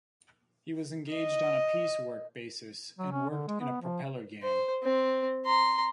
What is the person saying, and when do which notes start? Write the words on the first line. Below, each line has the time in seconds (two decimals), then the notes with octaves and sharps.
He was engaged on a piece work basis, and worked in a propeller gang.
1.13 D#5
2.98 F#3
3.12 C#4
3.30 D3
3.48 G#3
3.60 B3
3.82 F3
4.43 C5
4.83 C4
5.46 A#5 C6